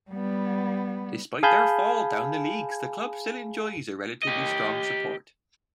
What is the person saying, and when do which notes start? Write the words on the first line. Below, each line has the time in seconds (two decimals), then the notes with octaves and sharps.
Despite their fall down the leagues the club still enjoys a relatively strong support.
0.11 G3 B3
1.43 G#4 F5 G#5 A5 B5 G6
4.23 G4 D#5